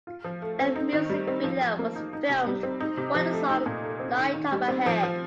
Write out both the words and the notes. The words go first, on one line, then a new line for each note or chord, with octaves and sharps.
A music video was filmed for the song Light Up Ahead.
F4
F3
A3
C4
D#4
D#3
G3
C4
F3
F3
A#3
D#4
D#4
C3
G3
C4
D#4
C3
F3
A3
D#4
A#2
A3
C4
D#3
D#3
G3
C4
F3
F3